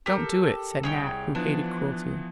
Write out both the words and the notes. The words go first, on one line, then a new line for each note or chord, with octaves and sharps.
"Don't do it," said Nat, who hated cruelty.
G4 A4 A#4
C2 G#4 C#5 G5
E3 F3 B3 D4